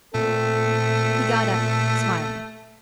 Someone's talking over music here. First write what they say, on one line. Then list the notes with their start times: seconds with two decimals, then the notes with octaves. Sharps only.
He got up, smiling.
0.15 A#2 A3 C4 A4